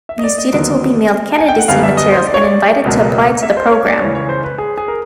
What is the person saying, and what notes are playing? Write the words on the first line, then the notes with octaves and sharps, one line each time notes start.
These students will be mailed candidacy materials and invited to apply to the program.
E5
D#5
D5
D#5
D#2 D3 F#3 B3
G#5
G5
F#5
F#2 D3 G3 B3 F5
E5
D#5
C5
D5
C#5
D5
C#2 B2 F#3 A#3
E5
C5
C#5
D5
C#2 C#3 E3 C#5
C#5
C5
B4
G#4
G#4
A#4